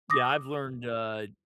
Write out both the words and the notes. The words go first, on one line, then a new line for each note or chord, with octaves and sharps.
Yeah, I've learned, uh,
D6 D#6 A#6